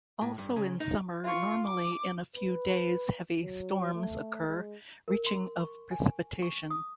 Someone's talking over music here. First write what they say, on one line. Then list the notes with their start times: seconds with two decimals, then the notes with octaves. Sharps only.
Also in summer, normally in a few days heavy storms occur, reaching of precipitation.
0.21 A2
0.38 G2
0.56 C#3
0.80 D#4
1.24 F4 C#6
1.66 D6
2.36 B4
3.43 F#3
3.95 A3
4.48 G#3
5.08 A#4
5.26 C6
5.60 C#6
5.91 G#5
6.42 C#6
6.70 D#6